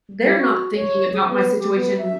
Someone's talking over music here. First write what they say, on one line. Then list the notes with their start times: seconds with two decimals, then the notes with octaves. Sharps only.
they're not thinking about my situation,
0.23 G3
0.39 F#4
0.75 C#5
1.13 G#4
1.28 B3
1.59 G4
1.75 B3
1.98 E5